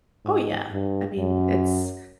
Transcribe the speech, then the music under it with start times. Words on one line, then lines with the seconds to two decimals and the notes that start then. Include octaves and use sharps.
Oh, yeah. I mean, it's
0.25 G#2
0.72 G2
1.18 F#2